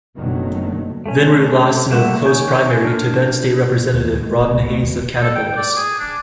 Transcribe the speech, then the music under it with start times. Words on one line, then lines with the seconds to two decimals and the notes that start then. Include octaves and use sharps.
Vinroot lost in a close primary to then-state representative Robin Hayes of Kannapolis.
0.17 F#1 B2 D3 D#3 F#3 A3
1.06 A3 C#4
1.91 G3 A3 A#3 E5 F#5
2.24 D#3 C#5 G#5 G6
2.84 D4 F6
3.93 D2
4.07 D#2
4.22 G#3
4.35 A#2
4.53 C#2
4.70 A3
4.83 D#2
5.22 A4
5.35 G5
5.56 D5
5.76 G#4
5.98 D4